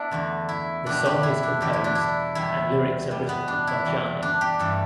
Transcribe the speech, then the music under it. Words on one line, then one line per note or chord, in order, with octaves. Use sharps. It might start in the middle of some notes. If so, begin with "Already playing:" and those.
The song is composed and lyrics are written by Jaani.
Already playing: B3 D4 E4
E2 D3 A3
E4
E2 B2 G3 D4
G4
E4
D4
E2 D3 G3 G4
E4
D4
E4
E2 B2 G3 E4
B2 G3
B3
D4
E4
E2 E3 G3
D4
G4
G2 E3 A3 A4